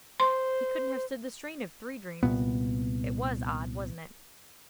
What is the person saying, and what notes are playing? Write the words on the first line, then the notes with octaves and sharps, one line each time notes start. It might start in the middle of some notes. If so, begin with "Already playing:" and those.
He couldn't have stood the strain of three dreams. It WAS odd, wasn't it?
C5 C6
C2 A#2 B3